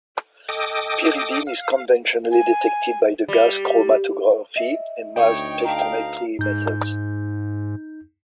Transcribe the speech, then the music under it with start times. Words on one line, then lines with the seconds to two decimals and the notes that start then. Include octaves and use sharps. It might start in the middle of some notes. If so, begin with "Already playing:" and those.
Pyridine is conventionally detected by the gas chromatography and mass spectrometry methods.
0.49 A4 D#5 G5 D6 D#6
1.47 F5
2.32 G#5
3.28 G3
4.56 D#5 E5
5.16 D2 D#4 C#5 G5
5.65 F5 A5 A#5
6.39 G#2 D#4 G6